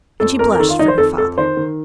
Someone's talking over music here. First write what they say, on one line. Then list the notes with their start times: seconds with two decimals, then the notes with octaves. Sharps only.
And she blushed for her father.
0.20 F2 A4
0.39 F2 A#4
0.52 A#4
0.59 D#3 A4
0.69 F4
0.79 D#3 D#4
0.88 C5
0.98 F2 A4
1.18 F2 A4
1.37 D#3 C5
1.57 D#3